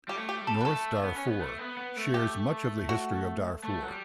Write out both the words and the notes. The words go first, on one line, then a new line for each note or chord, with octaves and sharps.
North Darfur shares much of the history of Darfur.
G3 G4
A3
G4
G3
A4
B4
A3 A4
B3
C#4
B3
A3
B3
B3
A3
G4
F#4
A3
F#3
G3